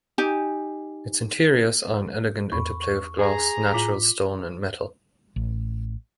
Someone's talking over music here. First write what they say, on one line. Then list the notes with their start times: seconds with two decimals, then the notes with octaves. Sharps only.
Its interiors are an elegant interplay of glass, natural stone and metal.
0.18 D#4 G4 G#5
2.52 E2 B5 C#6
2.82 C#6
3.19 G#4 A#5
3.74 A2 F4 D6 B6
5.36 A1